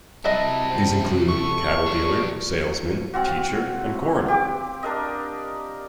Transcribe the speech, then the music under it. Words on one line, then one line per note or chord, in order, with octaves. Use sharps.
These include: cattle-dealer, salesman, teacher, and coroner.
C3 F#3 G3 E4 D#5 E5 A5
C4
A4 C#6
F3 D4
C4 F4 F#4
G4 D6
D4 A#4 D#5